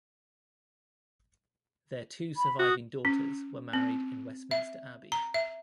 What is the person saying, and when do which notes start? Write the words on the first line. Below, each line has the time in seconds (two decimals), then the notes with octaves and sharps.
Their two surviving daughters were married in Westminster Abbey.
2.37 B5
2.60 F#4 D#6
3.05 C#4
3.73 C4
4.51 E5
5.12 A#5
5.34 E5